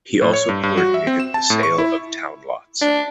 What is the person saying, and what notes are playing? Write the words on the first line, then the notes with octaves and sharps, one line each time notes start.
He also coordinated the sale of town lots.
A2
C#5
G2
G2
F#4
E5
C4
E7
A5
A2
C#6
E4
D4